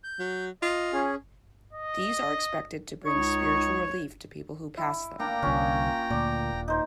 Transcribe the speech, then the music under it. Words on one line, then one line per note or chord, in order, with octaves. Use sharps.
These are expected to bring spiritual relief to people who pass them.
G6
F#3
F4 D#5
C#4 G#4
D#5
C#2 D#4 C#5 C#6
E4
A#3 D4 D5 G5 A#5
C2 D3 C#4 F4
D2 A#2 D5
D#1
D#4 C5